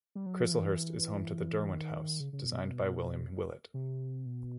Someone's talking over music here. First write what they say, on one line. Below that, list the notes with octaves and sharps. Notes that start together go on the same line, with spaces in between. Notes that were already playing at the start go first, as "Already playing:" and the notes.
Chislehurst is home to the Derwent House, designed by William Willett.
G3
F#3
F3
E3
D#3
C#3
C#3
B2
C3
B2
C3
B2